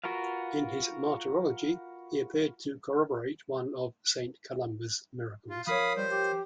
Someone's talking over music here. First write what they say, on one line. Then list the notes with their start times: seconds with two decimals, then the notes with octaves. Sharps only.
In his martyrology, he appeared to corroborate one of Saint Columba's miracles.
0.04 F4 F#4 A#4 B4 F5
5.50 F4
5.67 F3 A#4 C#5 F5 B5 D#6
5.97 G3 C5
6.11 G4